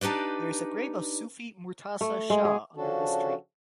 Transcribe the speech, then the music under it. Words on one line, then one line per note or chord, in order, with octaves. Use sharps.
There is grave of Sufi Murtaza Shah under this tree.
D4 D#4 G4 B4 D5
A3
G#3
G#4
C#3 F3 C#4 D4 F#4 A4